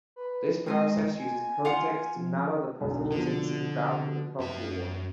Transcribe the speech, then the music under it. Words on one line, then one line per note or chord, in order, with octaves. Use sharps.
This process uses context to narrow the possible senses down to the probable ones.
B4
G#3 C4 G#4 D#5
G#5
F4 F5 F#5
F3
E1 B1 E2
B2 D3 F3
F#2 E5